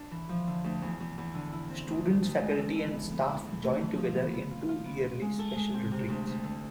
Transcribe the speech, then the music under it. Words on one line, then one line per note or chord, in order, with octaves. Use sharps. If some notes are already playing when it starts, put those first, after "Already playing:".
Students, faculty, and staff join together in two yearly special retreats.
Already playing: D4
E3
F3
D3
D2
E2
E2
E2
D3
E4
C4
D2
D4
D2
G#3
A4
E4
B3
B3
E4
E2
A3
D3
F3
B3
B3
F4
F4
B3
F4
G#3
A4
G#3
C4
C3
D2
D2
D3